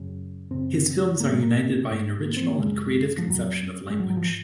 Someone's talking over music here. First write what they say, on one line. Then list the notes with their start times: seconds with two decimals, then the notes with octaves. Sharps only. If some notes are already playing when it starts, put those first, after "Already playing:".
His films are united by an original and creative conception of language.
Already playing: F#2 C#3
0.51 F#2 C#3 C4
1.20 G#2 A#3
1.31 G#3
1.43 A#3
1.90 G#2
2.25 A#3
2.37 C4
2.48 A#3
2.59 F#2 C#3 G#3
3.18 F3
3.30 F2 C3 F#3
3.90 G#3
3.99 G#2 F#3
4.10 F#3
4.17 F3